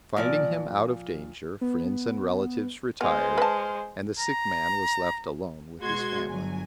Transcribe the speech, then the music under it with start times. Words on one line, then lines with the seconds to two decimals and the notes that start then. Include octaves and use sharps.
Finding him out of danger, friends and relatives retired, and the sick man was left alone with his family.
0.16 A#2 F3 D5
1.61 B3
3.01 G#3 B3 C5 F6
3.38 B4 A5
4.19 A#5
5.82 B2 G#3 F#4 C6 G#6
6.26 G1 F#3 G#5